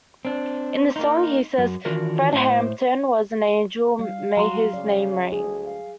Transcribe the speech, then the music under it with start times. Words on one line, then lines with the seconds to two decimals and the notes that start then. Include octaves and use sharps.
In the song, he says "Fred Hampton was an angel may his name ring".
0.25 C4 D4
0.96 A#3 D#4
1.58 F#2
1.85 D#3 E3 D4 F4 F#4 A#4
2.33 A2 C5
3.99 G3 F5
4.37 F#3 F#4 A#5 C6
4.73 C#3 D5
5.32 D2 G#4
5.65 F5